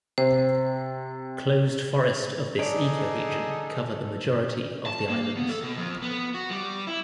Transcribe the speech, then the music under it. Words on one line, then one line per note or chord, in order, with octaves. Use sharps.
Closed forest of this ecoregion cover the majority of the islands.
C3 C5
D4 D#4 G#4 A4 C#5 D5
A5
A#3
B3
A4
B2
F2
B3
F#4
G3
E4